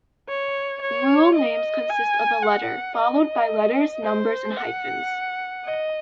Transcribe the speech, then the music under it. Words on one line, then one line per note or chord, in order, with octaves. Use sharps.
Rule names consist of a letter followed by letters, numbers, and hyphens.
C#5
C#5
D#5
G#5
F#5
D#5
C5
F#5
D#5